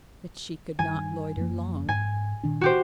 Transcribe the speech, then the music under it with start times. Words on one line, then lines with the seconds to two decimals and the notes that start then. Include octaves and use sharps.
But she could not loiter long.
0.79 G2 D#3 G#5
1.37 F#2 F3 A#3
1.89 G#2 G#5
2.43 A#2 D#3 D4
2.61 F#4 G4 C5